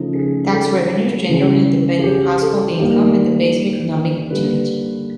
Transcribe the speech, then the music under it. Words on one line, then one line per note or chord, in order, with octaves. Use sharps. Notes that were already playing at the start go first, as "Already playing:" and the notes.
Tax revenues generally depend on household income and the pace of economic activity.
Already playing: C#3 F3 A3 D#4
G#4
G#4
A4
C#3 E3 G#3
G#4
G4
A4
D#3 G3 A#3
D3 G3 A#3 B4